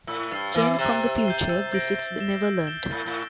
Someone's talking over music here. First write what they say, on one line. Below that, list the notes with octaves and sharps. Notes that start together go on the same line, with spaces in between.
Jane, from the future, visits the Neverland.
A2 E6
G2 A6 C7 G7
E3 E6
C3 A6 E7 G7
E6
G6 C7 G7
E6
G6 A#6 D7
A6
E7 G7
E6
A6 E7 G7
A2 A6
A2